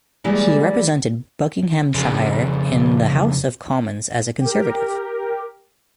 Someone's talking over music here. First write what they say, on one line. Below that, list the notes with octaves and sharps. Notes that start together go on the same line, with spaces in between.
He represented Buckinghamshire in the House of Commons as a Conservative.
E3 G3 G#3 A#3 E4 D5
F2 C#3
G4 A#4